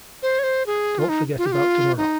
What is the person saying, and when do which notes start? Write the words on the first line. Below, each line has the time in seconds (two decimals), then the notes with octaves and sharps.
Don't forget about tomorrow.
0.22 C5
0.39 C#5
0.43 C5
0.66 G#4
0.99 F4
1.09 D#4
1.38 F4
1.46 G4
1.52 F4
1.97 D#4